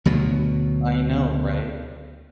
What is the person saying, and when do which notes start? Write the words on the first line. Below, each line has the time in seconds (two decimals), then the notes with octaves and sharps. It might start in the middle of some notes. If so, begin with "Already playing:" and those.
I know, right?
0.05 D2 B2 F#3